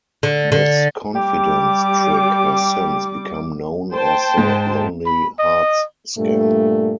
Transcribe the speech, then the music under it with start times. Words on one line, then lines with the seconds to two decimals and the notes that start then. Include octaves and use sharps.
This confidence trick has since become known as the "Lonely Hearts Scam".
0.23 D3
0.52 D3
1.15 G3 G4 D6
3.92 C5 G5 A5
4.37 G#2
5.06 B5
5.39 D#5
6.17 G2 A#2 A3